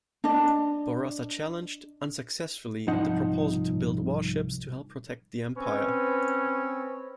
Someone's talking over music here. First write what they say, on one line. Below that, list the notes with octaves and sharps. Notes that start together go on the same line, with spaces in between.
Bourassa challenged, unsuccessfully, the proposal to build warships to help protect the empire.
D4 D#5
C2 G#2 F3 D#4 F#5
C4 C#4 B4